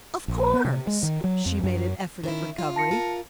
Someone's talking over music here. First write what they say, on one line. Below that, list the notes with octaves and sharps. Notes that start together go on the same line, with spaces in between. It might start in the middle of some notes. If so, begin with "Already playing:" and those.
"Of course." She made an effort at recovery.
A#1
B3
C3
G#3
D#3
F#3
F2
F#2
D#3 C#4 E4
F4
A5 A#6 C#7
F4 A#4